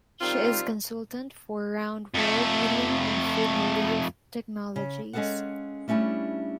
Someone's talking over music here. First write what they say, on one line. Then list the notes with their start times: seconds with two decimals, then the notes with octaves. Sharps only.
She is consultant for Round World Media and Fig Leaf Technologies.
0.20 D#3 G3 C4 F4
2.15 F2 A3
4.76 C#3
5.13 G#3 C#4 G#4 A4 F5 F#5
5.88 G3 A3 C#4 D4 E4 G#4